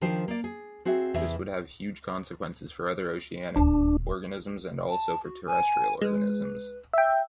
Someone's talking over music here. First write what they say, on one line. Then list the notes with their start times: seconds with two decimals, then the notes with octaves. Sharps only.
This would have huge consequences for other oceanic organisms and also for terrestrial organisms.
0.01 D#3 F3 D4 G4 C5
0.28 A#3 D5
0.44 G#4
0.85 C4 F#4 G#4 E5
1.14 E2 C3 E3 G#4 E5
3.56 D#1 D2 D4
4.89 A5
5.23 F#4
5.46 G#5
6.01 G#3 B4
6.93 E5 G5